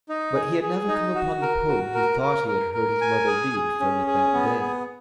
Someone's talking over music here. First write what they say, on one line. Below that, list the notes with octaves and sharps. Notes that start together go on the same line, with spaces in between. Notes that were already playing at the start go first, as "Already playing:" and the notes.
But he had never come upon the poem he thought he had heard his mother read from it that day.
D#4
G#4
G#4
D#4
F#4
A#4
F#4
A#4
A#4
A#4
A#4
G#5
G#4
G#4
C#4
G#4
B3
B3